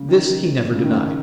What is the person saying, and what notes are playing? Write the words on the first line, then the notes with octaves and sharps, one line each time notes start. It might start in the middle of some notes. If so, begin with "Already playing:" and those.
This he never denied.
Already playing: C#3
D#3
C#3
D#3